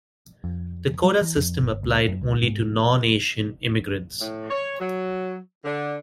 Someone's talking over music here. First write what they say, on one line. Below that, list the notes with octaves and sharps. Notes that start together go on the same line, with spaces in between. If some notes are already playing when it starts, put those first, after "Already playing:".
The quota system applied only to non-Asian immigrants.
F2
G3
E3
F2
G1
C#2
F#2
C#2
G#2
A2
C#5
F#3
D3